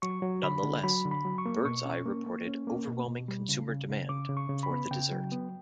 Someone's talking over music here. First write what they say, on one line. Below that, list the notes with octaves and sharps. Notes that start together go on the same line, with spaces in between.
Nonetheless, Birds Eye reported "overwhelming consumer demand" for the dessert.
F#3 C#6
F#3
D3 B5
D3
F#3 B5
D3
B5
F#3
C#6
A#3
B2 C#6
C#4
A#3
A#3
C#4
A#3
B2
B2
G3
C#3
C#3
C#3
C#3 D6
C#3
C#6
C#3
B5
B3
C#3 G5
F#3
B3